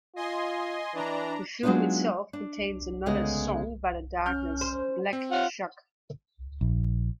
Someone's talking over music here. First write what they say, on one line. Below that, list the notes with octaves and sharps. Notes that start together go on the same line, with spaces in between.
The film itself contains another song by the Darkness, "Black Shuck".
F4 D#5 G#5 C6
E3 D4 A#5
F#3 G#3 B3 D4 D#4 F4
D4
D2 C#3 G#3 B3 D#5
C#4 F6 G6
C5
C4
F4 C#5 F#5
A#1